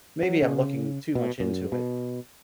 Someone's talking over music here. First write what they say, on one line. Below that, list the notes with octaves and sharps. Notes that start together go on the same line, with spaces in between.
Maybe I'm looking too much into it.
F#3
C#3
B2
F#2
B2